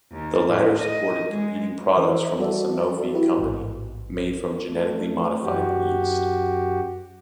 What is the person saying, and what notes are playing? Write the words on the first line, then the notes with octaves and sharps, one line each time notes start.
The latter supported competing products from the Sanofi company made from genetically modified yeast.
D#2
A2
D#5
G#3
E3 A#4 C5 C#5 D#5 E5
G3 F#4 A4 D5 E5
E4 F#4 G4 B4
A1 G#2
A3
F#2 F#4 G4